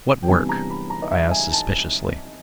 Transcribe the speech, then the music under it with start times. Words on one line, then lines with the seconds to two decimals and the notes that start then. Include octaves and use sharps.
"What work?" I asked suspiciously.
0.23 G5
0.28 C3 E3 G3 B3 D4 G#5
0.49 A#5
0.70 B5
0.90 A#5
1.02 D#5
1.11 E5
1.31 G#5
1.52 A5